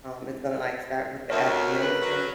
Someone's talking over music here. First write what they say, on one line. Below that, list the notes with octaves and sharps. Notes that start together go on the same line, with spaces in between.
um, is gonna, like, start with the affirmations,
D2 A#4 C#5 D#5 E5
B4
F#3